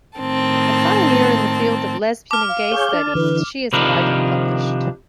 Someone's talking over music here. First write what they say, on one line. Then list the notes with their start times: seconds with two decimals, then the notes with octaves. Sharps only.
A pioneer in the field of lesbian and gay studies, she is widely published.
0.18 A2 D#3 C4 A5
2.31 A5 D6 F6
2.49 F5
2.71 G#4 C#5 G6
2.93 D4 A5
3.15 D3 E3 B4
3.73 C3 D#3 F3 D4 A#4 B4